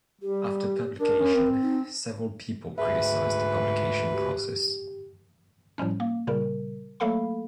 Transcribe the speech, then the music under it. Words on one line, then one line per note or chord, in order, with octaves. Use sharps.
After publication, several people criticized the publication process.
G3 G4
D4 A#4
C#4
C4
D#4
D2 G#2 G#4 B4 E5
G4
A2 F3 G3 C#4
A#3
A#2 C#3 G3 A#4
F#3 A3 A#3 A4 F5 B5